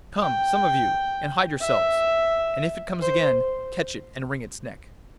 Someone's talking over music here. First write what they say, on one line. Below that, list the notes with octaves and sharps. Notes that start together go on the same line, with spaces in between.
Come, some of you, and hide yourselves, and if it comes again, catch it and wring its neck.'
G5
E5
C5